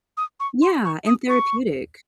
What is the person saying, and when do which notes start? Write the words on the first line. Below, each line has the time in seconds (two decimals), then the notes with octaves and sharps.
Yeah, and therapeutic.
0.17 D#6
0.40 C#6
0.62 C6
0.85 C#6
1.07 D#6
1.29 C#6